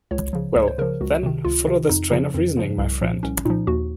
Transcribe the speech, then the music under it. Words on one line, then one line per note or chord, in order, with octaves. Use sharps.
Well, then, follow this train of reasoning, my friend!
C#2 C#5
C#3 F3
C#2 C#5
C5
C#3 F3 A#4
C#2 F#4
C3 D#3
C#2 F4
C3 D#3
F2 D#4
C#3 F3
F2
C#3 F3
C2
A#2 F3
C2 C#4
A#2 F3 D#4
D#2 F#4